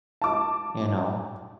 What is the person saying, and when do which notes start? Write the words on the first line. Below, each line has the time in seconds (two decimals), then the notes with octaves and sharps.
You know?
0.22 A5 D6